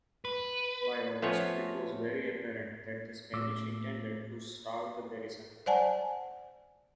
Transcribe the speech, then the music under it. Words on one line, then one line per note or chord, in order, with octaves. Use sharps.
By August, it was very apparent that the Spanish intended to starve the garrison.
B4
F3 A3 B3 C#4 F4 C#5
A2 A3 D6 E6
C5 D5 F#5 G#5 A5